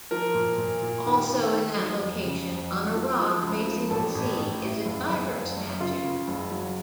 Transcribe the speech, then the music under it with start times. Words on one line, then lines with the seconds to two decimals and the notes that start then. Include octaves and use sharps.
Also in that location on a rock facing the sea is a diver statue.
0.11 F3 A#4
0.34 A#2
0.58 A#2
0.82 A#2
1.06 D#2
1.29 D#2
1.54 D#3
1.77 F#3
2.01 F2
2.24 C#3
2.48 F2
2.72 F#3
2.96 F3
3.19 F3
3.43 C#2
3.67 F3
3.90 A1 A4
4.15 A1
4.38 A1
4.62 A2
4.86 F#1
5.10 F#1
5.33 F#1
5.57 F#2
5.80 C#3 F4
6.04 C#3
6.28 F#1
6.51 F#3